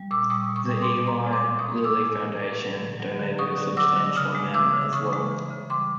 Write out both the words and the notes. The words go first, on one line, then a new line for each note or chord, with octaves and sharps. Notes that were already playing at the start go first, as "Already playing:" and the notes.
The Eli Lilly Foundation donated a substantial amount as well.
Already playing: G3
A#2 D6 E6
G3 C#6 D#6
A#2
C#6 D#6
G3
C6 D6
A#2
A2 A#5 C6
G#3
C6 D6
E3
C#6 D#6
A2
A2 D6 E6
G#3
E3
A2
F#3
D3
F#3
D3
F#3 C#6 D#6
D3
F#3 D6 E6
D3
C#3 D#6 F6
G#3
E3 D6 E6
C#3
C#3 C#6 D#6
G#3
E3
C#3
G3 C6 D6